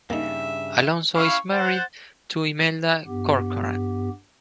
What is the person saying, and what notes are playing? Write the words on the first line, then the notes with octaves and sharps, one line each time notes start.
Alonso is married to Imelda Corcoran.
G2 C#3 A#3 D#4 E5
C#4 E4 F5 C#6
C5 F#5 A6
G2 B3 G4